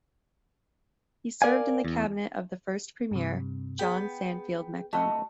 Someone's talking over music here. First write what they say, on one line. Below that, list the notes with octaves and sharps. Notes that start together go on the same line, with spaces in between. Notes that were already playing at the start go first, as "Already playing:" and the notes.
He served in the cabinet of the first Premier, John Sandfield Macdonald.
A#4 D5 F5 G#5
E2
G2 C3
B3 G#4 G5
A3 F#4 D#5